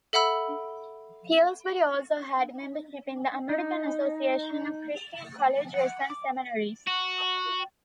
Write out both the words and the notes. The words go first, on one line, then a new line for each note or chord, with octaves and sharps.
Pillsbury also had membership in the American Association of Christian Colleges and Seminaries.
A4 E5 F#5 B5 E6
D#4
F#5
D6
F#4